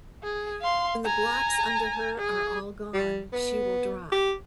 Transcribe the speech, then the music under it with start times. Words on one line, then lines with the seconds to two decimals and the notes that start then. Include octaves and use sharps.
When the blocks under her are all gone, she will drop.
0.23 G#4
0.61 F5 C6
1.05 G#5 A#5
2.18 G#4
2.94 G3
3.32 B3
4.12 G4